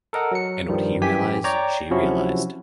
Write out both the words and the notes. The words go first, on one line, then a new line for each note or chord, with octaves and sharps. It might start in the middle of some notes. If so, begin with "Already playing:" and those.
And what he realised, she realised.
A4 A#4 D#5 F#5
F#3 C#7
G2 D#3 F3 G3
F#2 E3 G4 G#5 B6
C#5 D5 G5 A#5 D6
C3 F3 F#3 C#4 E4 F#4